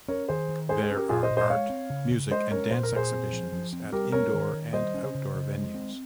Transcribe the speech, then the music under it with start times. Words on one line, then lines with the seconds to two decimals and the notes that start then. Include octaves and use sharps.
There are art, music and dance exhibitions at indoor and outdoor venues.
0.08 C#4 A#4 C#5
0.29 D#3 G#4 C5
0.48 D#3
0.69 G#3 G#4 C5
0.83 G#4 C5
0.90 C#4
0.96 G4 A#4
1.09 A#2 F4 G#4
1.23 C5 D#5
1.30 A#2
1.37 C5 D#5
1.50 G#3 C#5 F5
1.70 C4
1.90 C#3
2.11 C#3
2.31 G#3 C5 D#5
2.51 C#4 A#4 C#5
2.71 A#2 C5
2.83 A#4
2.92 A#2 G#4 C5
3.12 C4
3.33 F3
3.52 F3
3.73 C4
3.92 G3 G4 A#4
4.12 C#4 A#4 C#5
4.34 D#3
4.53 D#3
4.73 G3 C5 D#5
4.94 C#4
5.15 C#3
5.34 C#3
5.55 G#3
5.74 C4